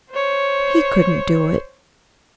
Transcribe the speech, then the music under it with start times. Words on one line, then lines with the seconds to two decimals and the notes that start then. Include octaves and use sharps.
He couldn't do it.
0.11 C5 C#5